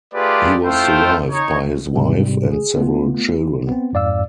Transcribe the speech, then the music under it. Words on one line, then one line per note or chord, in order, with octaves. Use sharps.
He was survived by his wife and several children.
A3 F4 G4 G#4 B4 D5
A3 E4 F4 A4 C5 G5
D#4 C#5
G#2 C3 G3
G#4
A3 B3 F4
B3 C4
F2 G#2 D5 F5 E6